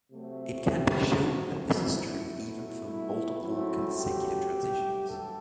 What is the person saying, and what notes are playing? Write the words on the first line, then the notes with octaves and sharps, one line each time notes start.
It can be shown that this is true even for multiple consecutive transitions.
C3 F#3 A3 C4
G4
F#2 F#3 A3 C4 F#4
E4
B2 F#3 A3
E4
F#2 F#3 A3 C4 E4
G4
G2 F#3 A3
A4